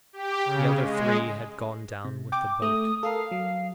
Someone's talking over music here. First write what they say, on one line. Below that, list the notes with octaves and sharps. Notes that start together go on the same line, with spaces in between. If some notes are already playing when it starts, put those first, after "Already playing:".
The other three had gone down with the boat.
G4
C#3
G#3
C3
G5 D6
A3 D#6
A4 A#4 F5
F#3